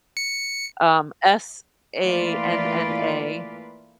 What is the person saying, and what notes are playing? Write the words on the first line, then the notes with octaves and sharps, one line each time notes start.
um, S-A-N-N-A
C#7
E3 A3 A#3 F4 B4 D5